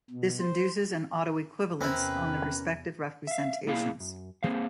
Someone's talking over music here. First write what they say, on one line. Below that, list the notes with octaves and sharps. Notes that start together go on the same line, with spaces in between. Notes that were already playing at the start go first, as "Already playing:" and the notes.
This induces an autoequivalence on the respective representations.
B2
C5
E2 C3 C4 C#4 E4 A#4 B4
E5 F5
B1 A#3 E4 G#4 F5
F#2
A#3 C4 C#4 G#4 C5 F5